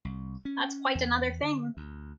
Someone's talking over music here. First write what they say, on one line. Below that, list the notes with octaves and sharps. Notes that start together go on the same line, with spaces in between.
That's quite another thing!
C2
C#4
E2
D3
D2